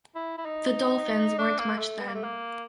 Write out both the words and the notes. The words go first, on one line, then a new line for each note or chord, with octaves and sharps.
The Dolphins weren't much then.
E4
E4
D#4
D4
A#3
A3
B3
A#3
A3
A#3